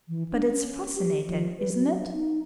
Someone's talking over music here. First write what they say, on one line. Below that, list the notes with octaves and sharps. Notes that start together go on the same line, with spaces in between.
But it's fascinating, isn't it?
E3
D4
C#4
G4
F3
B4
F#3
D#4